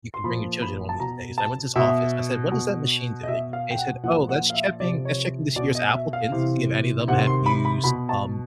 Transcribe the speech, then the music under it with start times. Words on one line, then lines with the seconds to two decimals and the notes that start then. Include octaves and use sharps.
you can bring your children along these days- and I went to his office, and I said, "What is that machine doing?" And he said, "Oh, that's checking that's checking this year's applicants to see if any of them have used, um,
0.14 C6
0.24 A#2 F3 B5
0.62 B5
0.89 A5
1.00 B2 A#5
1.38 A5
1.76 B2 E5
2.52 B2
3.23 D#5
3.28 B2 E5
3.53 F5
3.71 G5
3.78 F#5
4.03 A#2 F3 F#5
4.29 F#5
4.50 F5
4.54 E5
4.80 C3 D5
4.84 F3
5.05 C#5
5.56 B2 D5
5.75 D#5
5.94 E5
6.13 F5
6.32 C3 E3
7.08 C3 D#3 F#5
7.27 C6
7.46 B5
7.65 B5
7.84 B2 B5
8.09 A5